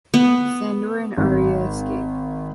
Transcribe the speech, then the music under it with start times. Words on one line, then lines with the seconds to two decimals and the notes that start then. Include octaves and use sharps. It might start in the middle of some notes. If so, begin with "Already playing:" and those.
Sandor and Arya escape.
0.14 B3
1.17 G#1